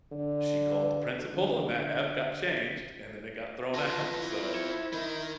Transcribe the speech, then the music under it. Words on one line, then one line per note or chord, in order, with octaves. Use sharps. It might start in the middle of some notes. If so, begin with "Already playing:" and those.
she called the principal, and that F got changed, and then it got thrown out so,
D3
D3
F4 A4 B4 A5 C6 A#6
E4
C5 G#6 C#7 E7
D#3 D#4 A#4